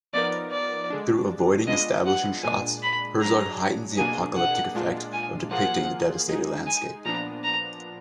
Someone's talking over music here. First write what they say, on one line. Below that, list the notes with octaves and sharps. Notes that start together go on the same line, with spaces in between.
Through avoiding establishing shots, Herzog heightens the apocalyptic effect of depicting the devastated landscape.
F3 B3 D#4 A#4 D5
D5
D3 G#3 D4
G#3 B3 D4 F4 D#5
F#5
A#2 G#3 D4 G#5
B5
F#3 D4 G#4 A#5
B2 A#3 D4 G#4 G#5
F#5
A#2 G#3 D4 F4
G#5
F3 A#3 F4 G#4 F#5
G#3 D#4 G#4
G#5
A#2 F3 B3 D4 A#5
A#5